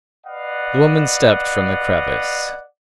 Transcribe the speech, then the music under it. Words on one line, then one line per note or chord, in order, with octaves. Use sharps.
The woman stepped from the crevice.
B4 D5 D#5 F5 F#5